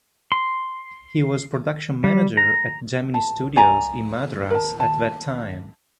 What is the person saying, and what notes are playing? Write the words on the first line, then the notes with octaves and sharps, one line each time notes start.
He was Production Manager at Gemini Studios in Madras at that time.
C6
G3
A#5
A5
D5 G#5 A#5
A#4 A5
A5